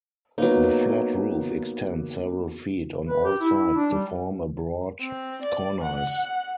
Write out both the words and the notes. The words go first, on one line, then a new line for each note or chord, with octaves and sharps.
The flat roof extends several feet on all sides to form a broad cornice.
F#3 A#3 B3 D#4 B4
B4
G4
E4
E4
D4
G3
C4
D5
F#5